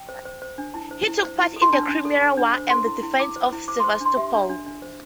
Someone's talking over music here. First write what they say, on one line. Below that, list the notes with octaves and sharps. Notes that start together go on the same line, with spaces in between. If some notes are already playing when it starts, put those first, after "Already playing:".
He took part in the Crimean War and the defense of Sevastopol.
Already playing: G5
C5
C5
C5
D4
E4 A5
C5
E4
C5
E4
A4
C6
D4 A5
D4
A4
A4
D4
C5
A4 C6
E4
E4
E4 D6
C5
E4
C5 D6
C5 C6
D4
C6
G4 E5
D4
D4
D4
C5